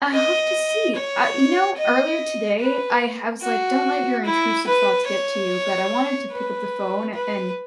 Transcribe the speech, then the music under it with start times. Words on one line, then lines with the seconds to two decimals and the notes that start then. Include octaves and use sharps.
I'll have to see, I you know, earlier today, I ha was like, "Don't let your intrusive thoughts get to you," but I wanted to to pick up the phone a and,
0.13 D#5
0.95 C#5
1.77 D#5
2.60 B4
3.42 F#4
4.24 E4
4.67 B4
5.07 C#5
6.31 B4
7.13 B4